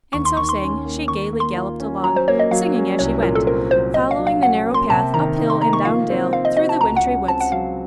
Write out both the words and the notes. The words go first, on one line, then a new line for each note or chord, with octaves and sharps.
And, so saying, she gayly galloped along, singing as she went, following the narrow path up hill and down dale through the wintry woods.
D#2 C#6
C6
D#3 C#6
C6
C#4
A#3
D#3 C#6
A#3
C6
F4
C#4
F#3 A#5
C5
A#3 C#5
D#5
F#3 F5
C#4
C2 C#5
A#2 A#4
A4
C4 A#4
F#3 C5
A#2 D#5
F5
F#3
F5
C#4 F#5
A#3
C6
C3 A5
D#3 A#5
D#4
C6
A#3 A#5
C#6
F3 F5
C4
C5 F5
D#5
F#4 D#5
A5
C#2 A#5
F#5
C#3
C4 A5
F#5
F#3 F5